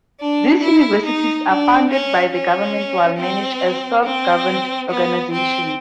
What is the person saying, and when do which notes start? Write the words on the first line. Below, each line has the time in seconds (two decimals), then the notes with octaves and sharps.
These universities are funded by the government while managed as self-governed organizations.
0.20 D4
0.63 E4
1.05 D#4
1.48 D4
1.90 C#4
2.33 C#4
3.18 C4
4.04 C4
4.89 B3
5.31 C4